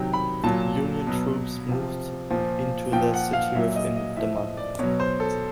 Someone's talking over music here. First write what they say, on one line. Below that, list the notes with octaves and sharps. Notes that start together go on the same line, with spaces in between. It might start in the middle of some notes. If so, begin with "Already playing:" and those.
Union troops moved into the city within the month.
Already playing: C3 D#3 F#3 G5
B5
A#2 F#3 A5
B2 F#3
C3 F3
A#2 F3
A#2 F3 G5
F#5
F5
A#2 F#3 E5
D#5
D#5
A2 F3 E5
D#5
D5
B2 F#3 C#5
C5
A4